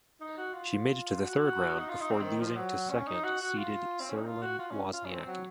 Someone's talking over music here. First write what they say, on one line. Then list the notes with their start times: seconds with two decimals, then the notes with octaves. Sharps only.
She made it to the third round, before losing to second seeded Caroline Wozniacki.
0.21 D#4
0.37 F#4
0.54 F4
1.22 F#4
1.79 D#4
1.89 F4
2.01 D#4
2.11 C4
2.22 D#3
2.40 F3
2.56 F#3
2.90 C#4
3.07 D#4
3.24 F#4
3.41 F#4
3.58 F4
4.00 C4
4.09 C#4
4.17 D#4
4.25 F4
4.42 F#4
4.59 F4
4.71 C#4
4.94 F4
5.05 C#4
5.10 C4
5.27 F#3